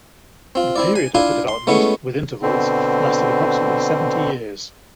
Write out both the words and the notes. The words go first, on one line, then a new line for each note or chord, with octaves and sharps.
The period of the development, with intervals, lasted approximately seventy years.
C4 F4
C4 E4 D5
G#5
D4 E4 F4 F5 G#5
C6
G#3 A3 B3 C#4 E4
B2 D3 C4